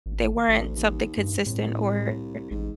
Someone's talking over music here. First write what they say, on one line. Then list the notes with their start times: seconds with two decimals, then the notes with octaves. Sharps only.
they weren't something consistent or r
0.06 G#1
0.49 A1 D2
0.76 D#2
1.17 G2
1.46 C2 A2
2.51 A1 G#2